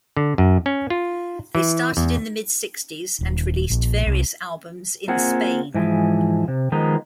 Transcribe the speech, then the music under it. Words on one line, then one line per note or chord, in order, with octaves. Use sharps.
They started in the mid sixties and released various albums in Spain.
D3
F#2
C#4
F4
E3
E2
D#1
A#1
C2
A#3 C4 F4 G#4 F#5
G#2 E3 F3 G#3
C3
D#3 F3 G#3 B3 D#4